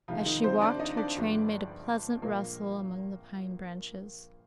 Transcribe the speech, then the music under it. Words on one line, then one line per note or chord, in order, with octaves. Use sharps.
As she walked, her train made a pleasant rustle among the pine branches.
D2 C3 D#3 F3 G#3 F4
D#3 D#4
C4 C5
D4 D5
D#4 D#5
D4 D5
G1 G2 F3 G#3
A#1 A#2 F3 G#3 A#3 A#4